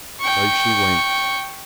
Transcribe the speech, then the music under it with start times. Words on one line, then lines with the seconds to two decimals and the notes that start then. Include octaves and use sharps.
So she went.
0.20 G5 C#6